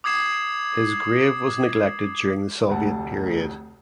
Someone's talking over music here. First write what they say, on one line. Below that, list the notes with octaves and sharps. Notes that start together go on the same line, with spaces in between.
His grave was neglected during the Soviet period.
D6 D#6 G#6 C7 E7
F1 D2 F#5 A5